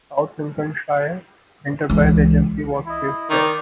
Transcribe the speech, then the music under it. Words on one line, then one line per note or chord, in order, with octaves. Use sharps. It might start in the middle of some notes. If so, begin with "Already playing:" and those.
South Lincolnshire Enterprise Agency was based there.
C#2 E3
E4 D#5
D#3 D5